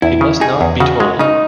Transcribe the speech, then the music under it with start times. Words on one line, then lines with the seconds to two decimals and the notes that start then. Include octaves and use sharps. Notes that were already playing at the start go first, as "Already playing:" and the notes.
He must not be told.
0.02 E2 E4
0.21 C#3
0.41 D#4 G#4
0.61 E2
0.80 C#3 F#4
1.00 G#3
1.19 C#3 D#4